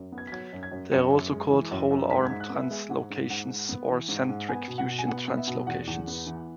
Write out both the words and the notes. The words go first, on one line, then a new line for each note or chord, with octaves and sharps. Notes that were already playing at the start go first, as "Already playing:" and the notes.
They are also called whole-arm translocations or centric-fusion translocations.
Already playing: F#2
B3
G#6
B6
F#3 G#6
F#2
G#6
F#2
F#2 C#7
F#2
G#3
E3
F#2
F#2
G#2 B6
G#2 G#6
F#6
B3
E5
G#3 E5
G#2 F#5
G#2
G#2 F#5
G#2
B3
E3
G#2
G#2
B3 G#5
B2
F#5
B2
G#5
B3 F#5
B3
E5
B2
E2 F#5
E2
B3
E3